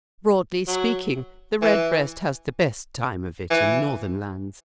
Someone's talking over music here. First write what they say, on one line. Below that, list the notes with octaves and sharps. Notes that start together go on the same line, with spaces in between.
Broadly speaking, the redbreast has the best time of it in northern lands.
F#3
E3
E3